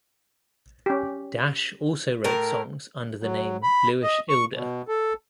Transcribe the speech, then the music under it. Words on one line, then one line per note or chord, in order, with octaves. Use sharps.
Dash also wrote songs under the name Lewis Ilda.
C#4 G4
A2 A#4
F#3
B5
D#5
C#6
B2
A4